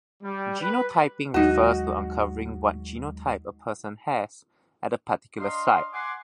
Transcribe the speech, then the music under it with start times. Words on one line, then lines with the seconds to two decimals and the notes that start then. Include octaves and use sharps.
Genotyping refers to uncovering what genotype a person has at a particular site.
0.23 G3
0.61 B4
1.34 D#2 F#3 G#3 D#4 F#4
5.40 D4 D#5 F5 A#5 C6
5.94 F#5 G#5 C6 D6